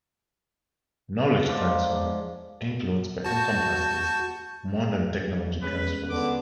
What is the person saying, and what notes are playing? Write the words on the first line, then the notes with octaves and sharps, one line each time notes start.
Knowledge transfer includes, but encompasses more than, technology transfer.
G#2 F3 D5
F#4 A5 G6
G2 G#3 C#4 B4
D3 B3 D6